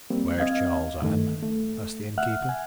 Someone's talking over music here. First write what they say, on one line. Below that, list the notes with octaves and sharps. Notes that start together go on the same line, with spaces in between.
"Where is Charles, Ann?" asked the innkeeper.
G3 A#3 C4
C4 D#5 F5 G#6
G2 D#3 A3
A3
E5 F#5 F6 F#6
G#5